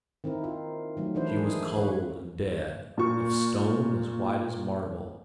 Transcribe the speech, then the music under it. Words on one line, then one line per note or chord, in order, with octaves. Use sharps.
She was cold and dead--of stone as white as marble.
D#3 C4 E4 A#4
F4
D#3 F#3 A3
D#3 E3 D4 E4 C5
G#4
B4 C#5
A#2 C#6